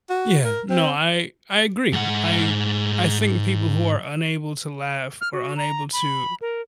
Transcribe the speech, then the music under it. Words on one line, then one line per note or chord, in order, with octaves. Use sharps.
Yeah. No. I I agree. I I think people who are unable to laugh or unable to
F#4
A#4
C4
G#2 F#5
F6
F#4
A#5
B5
A#4